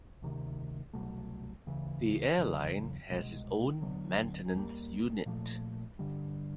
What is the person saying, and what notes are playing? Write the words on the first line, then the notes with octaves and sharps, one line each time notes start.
The airline has its own maintenance unit.
D2 C3 D#3
C2 B2 F#3 A3
D2 C#3 E3
E2 C#3 F#3
C2 B2 G#3
D2 D3 F#3 B3
D#2 D#3 G3 A#3
A#2 F3 A3
G2 D3 G3